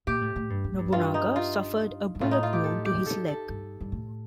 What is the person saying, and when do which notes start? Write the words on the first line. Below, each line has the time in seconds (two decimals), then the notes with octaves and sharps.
Nobunaga suffered a bullet wound to his leg.
0.07 A#2 G4
0.21 A2
0.36 A2
0.50 G2
0.64 F2
0.74 A2
0.79 G2
0.86 F2
0.92 G2 F4
1.14 D#4
1.36 F4
2.15 G2
2.21 A2 F4
2.31 D#4
2.43 F4
2.53 G4
2.64 A4
2.85 G4
3.06 A4
3.28 A4
3.49 G2
3.81 G2
3.92 A2